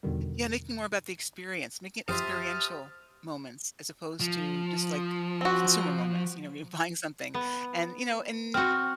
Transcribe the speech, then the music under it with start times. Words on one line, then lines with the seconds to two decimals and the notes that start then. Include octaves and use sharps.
Yeah, making more about the experience. Make it experiential moments as opposed to just, like, consumer moments, you know, when you're buying something. And, you know, and,
0.03 E2 B2 D3 D#3 G3
2.08 F#2 F3 G4 C5 E5 A5 D#6 F6
4.21 F3
5.41 C4 F#4
7.34 B3
8.54 C4 F#4 F6